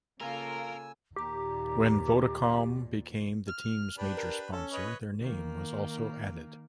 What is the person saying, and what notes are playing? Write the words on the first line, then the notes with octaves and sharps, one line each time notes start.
When Vodacom became the team's major sponsor their name was also added.
C#3 A#3 F4 A4 A#4 G#5 E6
D#2 A#2 G4 A#5
F6
D4 G4 B4
A#4
C#4 A4
B4 C#5 D#5
D#3 A#3